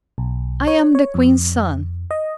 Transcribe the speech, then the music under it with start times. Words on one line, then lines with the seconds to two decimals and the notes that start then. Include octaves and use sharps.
I'm the Queen's son.
0.18 B1
0.67 C#5
0.95 C#5
1.14 F2
2.11 D#5